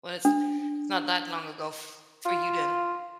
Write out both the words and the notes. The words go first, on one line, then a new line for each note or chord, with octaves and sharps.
Well, it's it's not that long ago f for you then.
D4
F4